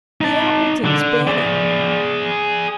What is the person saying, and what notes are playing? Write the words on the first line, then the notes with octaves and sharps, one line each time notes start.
The Appletons' Betty.
D#4 A5
D3
G#4 D5